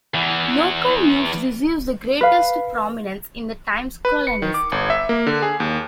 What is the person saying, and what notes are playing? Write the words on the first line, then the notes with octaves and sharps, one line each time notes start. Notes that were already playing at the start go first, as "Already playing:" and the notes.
Local news receives the greatest prominence in the "Times Colonist".
E2 E3
B4 F5
B4
C#7
D#3
D6
G1
E5
A#3
D3
G#4
D#2